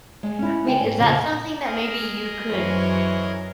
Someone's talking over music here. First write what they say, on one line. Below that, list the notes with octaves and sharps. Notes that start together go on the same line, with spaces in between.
I mean, is that something that maybe you could
G#3
C#4 E4
D2 G5 G#5
G#2
F2 A#2 C#3 F3
G#4 A#4 D#5
F#2 E3 F#4 C5 C#5